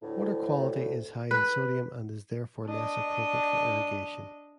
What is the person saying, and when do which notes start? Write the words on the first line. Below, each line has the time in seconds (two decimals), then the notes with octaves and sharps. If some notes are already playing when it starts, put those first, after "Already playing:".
Water quality is high in sodium, and is therefore less appropriate for irrigation.
0.02 D2 A2
1.31 B4
2.67 D4 D#5